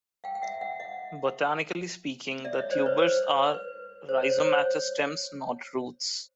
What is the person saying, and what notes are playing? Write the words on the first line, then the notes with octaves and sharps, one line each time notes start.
Botanically speaking, the tubers are rhizomatous stems, not roots.
F5 G5
G5
E5 F#5
E5 F#5
D#5 F5
D5 E5
C#5 D#5
C5 D5
B4 C#5
C5
B4
C5
C#5
C5
C#5
C5